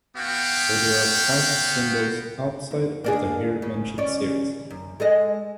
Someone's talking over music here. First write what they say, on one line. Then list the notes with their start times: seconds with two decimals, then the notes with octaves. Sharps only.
So there are Paiste cymbals 'outside' of the here mentioned series.
0.16 B3 F#4 F5 G5
2.71 D#2
3.04 A#3 D4 G#4
3.62 C#3
3.98 C#4 D5
4.70 F#2
5.00 G#3 A4 D#5